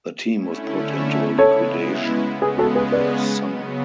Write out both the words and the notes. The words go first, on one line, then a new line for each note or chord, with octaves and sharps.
The team was put into liquidation in the summer.
D3 A3 C#4 E4
C#3 G#3 B3 E4 A4 C#5
C#3 G#3 B3 G#4 B4
F#4 A4
G#4 B4
B4 D5
C#3 F#3 B3